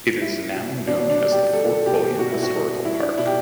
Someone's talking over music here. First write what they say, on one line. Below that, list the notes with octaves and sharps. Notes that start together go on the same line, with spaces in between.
It is now known as the Fort William Historical Park.
G3 E4
B2
B2 D4
D4
G3
G4
G3 A4
A4
B2 G4
G4
B2 F#4
E4
F#4
G3
G3 E4
D4
B2 E4
G4